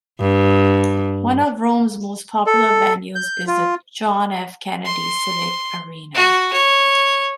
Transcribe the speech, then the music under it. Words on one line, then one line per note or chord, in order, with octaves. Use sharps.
One of Rome's most popular venues is the John F. Kennedy Civic Arena.
G2
A4
G6
F4
C6
F#4
C#5